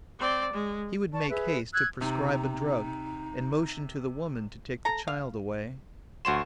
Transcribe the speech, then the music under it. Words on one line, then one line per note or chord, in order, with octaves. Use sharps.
He would make haste to prescribe a drug, and motion to the woman to take the child away.
C4 D5
G#3
D5 A5 C#6
G#4 B4 E5
E6 F#6 G#6
C3 D#4
A4 A#5
F5
D2 F#4 C#5 C6 E7